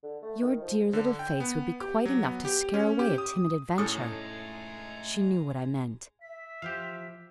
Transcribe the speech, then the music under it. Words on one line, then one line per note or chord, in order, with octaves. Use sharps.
Your dear little face would be quite enough to scare away a timid adventure.' She knew what I meant.
D3
A3
D#3
F3
D3
G5
B3
G4
F#3
B3
G4
C#4
G4
D#6
A2 G#3 A3 C#4 D#4 A4 A#5 D#6
E5 B6
F3 G4 C5 F5